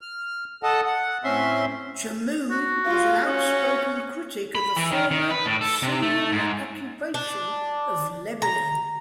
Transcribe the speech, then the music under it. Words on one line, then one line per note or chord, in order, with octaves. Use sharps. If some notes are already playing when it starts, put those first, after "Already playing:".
Chamoun was an outspoken critic of the former Syrian occupation of Lebanon.
F6
A4 D#5 F#5 A5
F#5
A2 C4 C#4 E5 C6
F#4
F4 F5
C#4
B5
E3
D#3
D#3
B4
A2
A4
C3
A3
G#2
D4
A#5